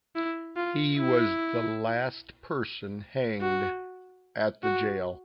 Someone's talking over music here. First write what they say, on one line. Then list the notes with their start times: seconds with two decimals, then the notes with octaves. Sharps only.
He was the last person hanged at the jail.
0.15 E4
0.56 F4
0.97 E4
3.41 F#4
4.64 F#4